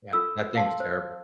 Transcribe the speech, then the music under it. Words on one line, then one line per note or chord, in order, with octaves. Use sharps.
Yeah. That thing was terrible.
F4 A4 E6
F5 A5 C6
C5